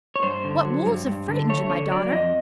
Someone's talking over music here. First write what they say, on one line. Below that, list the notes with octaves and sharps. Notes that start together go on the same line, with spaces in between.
What wolves have frightened you, my daughter?
C#5
G2 C5
D3
F#3
G2
G2
D3
A3 C#5
D3 C#5
F#3 D5
F2 D#5